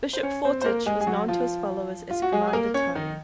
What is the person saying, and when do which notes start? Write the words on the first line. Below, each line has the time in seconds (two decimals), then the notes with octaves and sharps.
Bishop Fortich was known to his followers as "Commander Tony".
0.13 C5
0.23 C#4 C#5
0.45 C4 C5
0.61 C5
0.65 A#3 A#4
0.86 G#3 G#4
1.01 G#4
1.07 F#3 F#4
1.28 F3 F4
2.11 F4
2.22 F#4
2.32 G#3 G#4
2.47 G#4
2.53 A#3 A#4
2.74 C#4 C#5
2.95 D#3 D#4